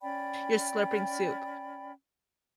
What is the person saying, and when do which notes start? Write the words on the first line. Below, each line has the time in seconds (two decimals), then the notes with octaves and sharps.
you're slurping soup,
0.01 C#4 D5 G5 B5